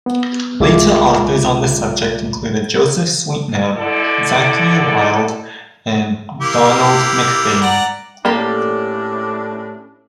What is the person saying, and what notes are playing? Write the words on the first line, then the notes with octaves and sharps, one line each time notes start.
Later authors on the subject included Joseph Swetnam, Zachary Wylde, and Donald McBane.
B3
C2 G#3 F4 E5 D6
B2 D3 E4 A4 D5
A#3 E4 G4
D5 F#5 A#5
A2 A#3 C#4 D4 G4 A4